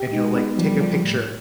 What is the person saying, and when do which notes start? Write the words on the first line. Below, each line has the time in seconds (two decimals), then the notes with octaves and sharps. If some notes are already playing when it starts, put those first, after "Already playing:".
and he'll, like, take a picture,
Already playing: G4
0.12 G#3 D#4
0.35 B3
0.59 F3 G3
0.81 F3
1.04 A2